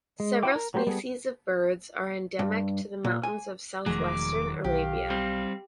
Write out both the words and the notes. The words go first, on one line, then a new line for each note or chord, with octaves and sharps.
Several species of birds are endemic to the mountains of southwestern Arabia.
G#3
E4 F#4 C5 G5 D6
A#4
F#3 A3 G4 A#4 C5
G3 B3 G#4 A4
G2
A#2
G#5
E1 D#3 F3 F#3 A3 G#4 D6
B1 G4 F5
G3 C4